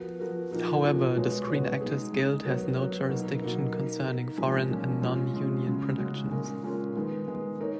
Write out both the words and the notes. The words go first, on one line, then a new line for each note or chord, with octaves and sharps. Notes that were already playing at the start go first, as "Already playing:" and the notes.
However, the Screen Actors Guild has no jurisdiction concerning foreign and non-union productions.
Already playing: F3 B3 F#4 A#4
F3 B3 F#4 A#4
A#2 F3 A#3 D#4 F#4
A#2 F3 A#3 D#4 F#4
B2 G#3 B3 F#4 C#5
B2 G#3 B3 F#4 C#5
G#3 D#4 G#4
G#3 D#4 G#4
F#3 B3 F#4 A#4 C#5
F#3 B3 F#4 A#4 C#5
B2 F#3 A#3 D#4
B2 F#3 A#3 D#4
A#3 D#4 A#4
A#3 D#4 A#4
A#2 F3 G#3 C#4
A#2 F3 G#3 C#4
G#3 C#4 F4
G#3 C#4 F4
C#3 G#3 C#4 F#4
C#3 G#3 C#4 F#4
A#2 G#3 C#4 F4 A#4
A#2 G#3 C#4 F4 A#4
D#3 G#3 B3
D#3 G#3 B3
A#3 D#4 A#4 C#5